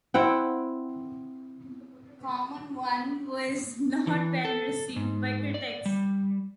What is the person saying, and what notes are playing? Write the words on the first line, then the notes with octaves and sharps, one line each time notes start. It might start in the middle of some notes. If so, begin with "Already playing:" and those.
"Common One" was not well received by critics.
C4 E4 F#5 G5
E3
A4
G#2
D5
G3